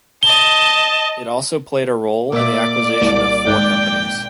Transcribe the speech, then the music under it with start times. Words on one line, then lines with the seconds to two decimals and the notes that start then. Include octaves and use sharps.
It also played a role in the acquisition of four companies.
0.23 D#5 A5 G7
2.32 A#2 D5 E5 D6
3.01 C2
3.47 G#1 G5 F#6